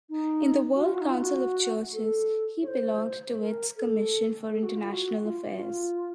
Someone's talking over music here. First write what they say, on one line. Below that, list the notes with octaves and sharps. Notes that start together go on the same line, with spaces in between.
In the World Council of Churches he belonged to its "Commission for International Affairs".
D#4
F#4
F4
F#4
D#4
F4
F#4
A4
C#5
C5
A#4
A4
A4
F#4
F4
F#4
F4
F#4
F4